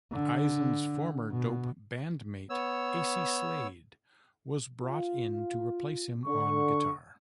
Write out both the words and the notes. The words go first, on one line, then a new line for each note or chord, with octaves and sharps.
Eisen's former Dope bandmate Acey Slade was brought in to replace him on guitar.
D3
B2
B3 C#5 E6
F4
D3 C#6